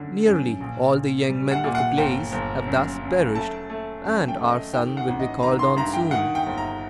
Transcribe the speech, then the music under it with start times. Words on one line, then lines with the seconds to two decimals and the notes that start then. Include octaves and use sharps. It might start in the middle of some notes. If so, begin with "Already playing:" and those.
Nearly all the young men of the place have thus perished, and our son will be called on soon.
Already playing: F#2 D3
0.26 F#2
0.60 A#1
0.94 A#1
1.29 G3
1.51 F#5
1.64 A#2
1.75 F#5
1.97 G1 G5
2.32 G1
2.66 F#2
3.01 F#2
3.35 A3 A5
3.70 A3
4.05 F#2 A5
4.28 G5
4.39 A3
4.50 D#5
4.73 D#3 G5
4.97 F#5
5.07 A1
5.20 D#5
5.43 D#3 A#5
5.59 C6
5.76 G2 A#5
5.94 G5
6.11 D#3 F#5
6.35 G5
6.46 G1
6.57 A#5